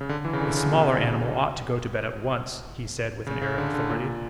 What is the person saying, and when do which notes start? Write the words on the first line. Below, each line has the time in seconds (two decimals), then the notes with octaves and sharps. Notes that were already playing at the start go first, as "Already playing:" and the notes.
"The smaller animal ought to go to bed at once," he said with an air of authority.
0.01 C#3
0.09 D3
0.25 E3
0.33 C#3
0.41 D3
0.57 C#3
0.73 B2
3.27 C#3
3.42 C#3
3.58 D3
3.74 D3
3.90 A#2